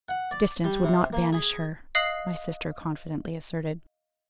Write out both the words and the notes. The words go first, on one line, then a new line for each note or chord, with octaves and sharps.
"Distance would not banish her," my sister confidently asserted.
F#5
D5
G3
C3
A#3
G#4
D#5 F5 D#6 F#6 C7 F#7